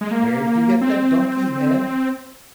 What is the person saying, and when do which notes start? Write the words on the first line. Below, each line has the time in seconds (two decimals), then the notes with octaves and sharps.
Where did you get that donkey head?
0.01 G#3
0.11 A#3
0.81 C4